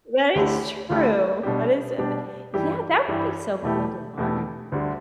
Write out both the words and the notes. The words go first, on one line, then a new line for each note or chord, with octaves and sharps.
That is true. That is, uh the Yeah, that would be so cool to learn.
D2 D3 A3 E4 G4
D2 D3 A3 E4 G4
B2 G3 D4 G4
B2 G3 D4 G4
G2 E3 G3 E4 G4
G2 E3 G3 E4 G4
E2 B2 A3 E4 G4
E2 B2 A3 E4 G4
D2 D3 G3